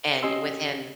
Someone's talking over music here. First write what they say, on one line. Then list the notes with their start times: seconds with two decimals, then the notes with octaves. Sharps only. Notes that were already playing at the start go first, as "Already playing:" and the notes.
and with him
0.23 C#4 G4 D#5 G#5 C6 E6